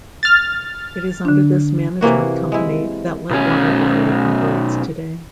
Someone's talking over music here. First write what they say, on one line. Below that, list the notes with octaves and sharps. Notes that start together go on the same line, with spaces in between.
It is under this management company that Lightwater Valley operates today.
F6 A6
D3 D4
C3 E3 A#3 F#4
G#3 E4
B1 C#4